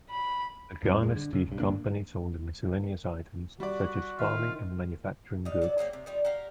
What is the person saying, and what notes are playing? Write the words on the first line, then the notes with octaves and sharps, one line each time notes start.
The Garner Stave Company sold miscellaneous items, such as farming and manufacturing goods.
B5
F2 G3 A#3 C4
D#1 E2 A2 G#3
D3
F#2 C#3
B1 G2
A1 D2 A#3 D4
G3 F#4 D5
D#3 C4 F4 E5
G3 D#5 F5
F#3 F#4 D5
C#3 F#3 A#3 G4
C3
D#3 G3 F4
F#4 G4 A#4 F5